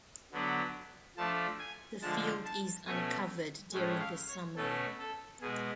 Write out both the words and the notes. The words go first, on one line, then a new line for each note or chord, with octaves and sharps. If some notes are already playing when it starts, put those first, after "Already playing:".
The field is uncovered during the summer.
D3 F#3 B3 D4
F3 A3 D4 A5
G#5
D3 F3 G#3 A5
A5
B2 A3 C#4 G#5
A2 G#3 C#4
F5
C#5
B2 A3 C#4 A4
A4
B2 G#3 G#4